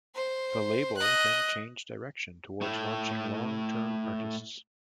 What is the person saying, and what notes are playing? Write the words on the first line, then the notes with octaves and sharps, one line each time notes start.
The label then changed direction towards launching long-term artists.
C5
D#5 F#6
A2 A3